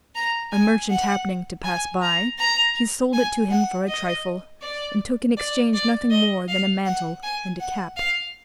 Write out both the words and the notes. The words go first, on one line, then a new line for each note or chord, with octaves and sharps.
A Merchant happening to pass by, he sold it to him for a Trifle, and took in Exchange nothing more than a Mantle, and a Cap.
A#5
G#5
F#5
G#5
A#5
A#5
G#5
F#5
D#5
D5
D5
D5
D#5
F5
F#5
G#5
F#5
F5